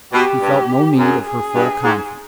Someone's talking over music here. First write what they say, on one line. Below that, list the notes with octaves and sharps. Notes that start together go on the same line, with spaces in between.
He felt no need of her full confidence.
B2 G4
G2
F#2 G#4
G#4
G2
G#2